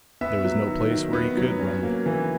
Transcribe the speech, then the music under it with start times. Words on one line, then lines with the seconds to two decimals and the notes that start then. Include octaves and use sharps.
There was no place where he could run.
0.21 B3 E5
0.45 F#3
0.67 D#3
0.90 D#3
1.13 B3
1.37 F#3
1.60 C#4
1.83 A#3
2.06 E3